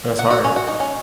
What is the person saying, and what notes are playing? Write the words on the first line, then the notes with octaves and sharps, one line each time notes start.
but it's hard.
F#5
F#4
C#4
F#4
D#4
C#4